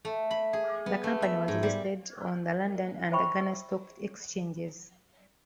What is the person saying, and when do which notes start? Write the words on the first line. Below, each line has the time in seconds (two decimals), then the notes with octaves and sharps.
The company was listed on the London and Ghana stock exchanges.
0.05 A3
0.31 B5
0.53 G#4
0.86 B3
1.04 A3
1.22 E5
1.48 G#2
1.63 G3
3.12 C5 E5 G5 B5 C#6